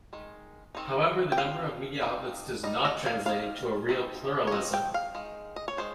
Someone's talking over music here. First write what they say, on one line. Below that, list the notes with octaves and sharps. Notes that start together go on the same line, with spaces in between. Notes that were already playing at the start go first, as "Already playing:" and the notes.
However, the number of media outlets does not translate into a real pluralism.
D#3 G#3
D#3 G#3 C4 D#4
G5
F3 C4 F5
F3 C4 D#4
G3 C4 D#4 D#5
D#5
F5
G3 C4 D#4 F5
F3 C4 D#4
C#5
F3 C4 D#4 D#5
G5
F5
D#3 G#3
D#5
C#5
D#3 G#3 C5